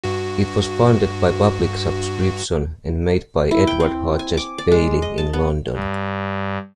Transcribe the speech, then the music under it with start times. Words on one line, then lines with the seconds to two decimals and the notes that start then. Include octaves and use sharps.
It was funded by public subscription and made by Edward Hodges Baily in London.
0.04 G2 F#4
3.51 E4
3.67 G5
3.80 C4
4.19 G#5
4.37 D6
4.58 D5
4.72 G#3
5.02 D#5
5.18 A5
5.33 B3
5.74 G2